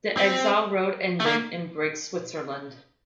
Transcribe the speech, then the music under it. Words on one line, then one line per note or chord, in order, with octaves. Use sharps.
The exile road ended in Brig, Switzerland.
C4
A3
A#3